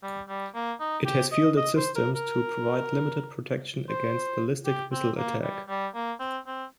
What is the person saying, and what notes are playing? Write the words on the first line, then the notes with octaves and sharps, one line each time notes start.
It has fielded systems to provide limited protection against ballistic missile attack.
G3
G3
A#3
D#4
G4
D#5
D#5
C5
A#4
A#4
C5
G4
C4
A#3
G3
G3
A#3
C4
C4